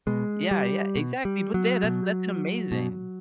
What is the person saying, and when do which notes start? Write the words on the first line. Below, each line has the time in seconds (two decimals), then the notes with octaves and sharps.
Yeah, yea exactly, but, the that's that's amazing!
0.07 B2 G#3
0.51 G3
0.96 B2
1.25 G3
1.54 F#3
1.84 B2
2.72 B2